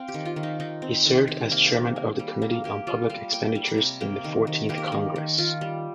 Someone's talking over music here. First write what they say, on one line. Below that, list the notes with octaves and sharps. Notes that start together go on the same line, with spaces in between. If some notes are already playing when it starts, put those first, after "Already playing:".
He served as Chairman of the Committee on Public Expenditures in the Fourteenth Congress.
Already playing: C4 F5 G5
G4
D#3
F4
D#3
D#4
D#3 D#4
C4
D#3
C3
A#3
A#3
A#3
G3
A#3
A#3 G4
G3 F4
G3 F5
A#3 G5
G3
A#5
C3
A#3 G5
D#3
D#3
A#3 G4
A#4
G4
D#3
D#3
D#3 F4
G3